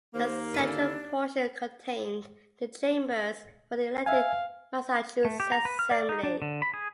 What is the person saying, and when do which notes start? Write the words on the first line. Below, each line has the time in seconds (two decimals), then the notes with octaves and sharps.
The central portion contained the chambers for the elected Massachusetts Assembly.
0.14 D#2 A#3 C5
0.54 D3 D4 E4 B4
4.06 E5 F5 G#5
5.25 A3
5.40 G4
5.52 A#5
5.65 B4
5.79 F6
5.91 D5
6.09 D#4
6.23 D4
6.42 D3
6.62 B5
6.74 G#4